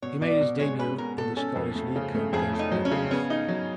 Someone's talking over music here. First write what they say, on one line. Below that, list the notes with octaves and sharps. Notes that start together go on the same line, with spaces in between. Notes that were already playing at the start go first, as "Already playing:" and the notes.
He made his debut in the Scottish League Cup against Arbroath.
B2 C#5
B2 D5
B2
G#3 C#5
C#4 B4
B2 A#4
B2 A4
C#4 A4
F2
A3
C#3
A3
F2 G#4
A3
D#4
F#3
C#4
C#3
B3 C#4
D#4
F#3